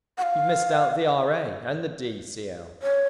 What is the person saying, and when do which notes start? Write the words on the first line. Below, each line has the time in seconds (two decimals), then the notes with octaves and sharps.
"You've missed out the R.A., and the D.C.L."
0.18 F#5
0.22 F5
2.82 C#5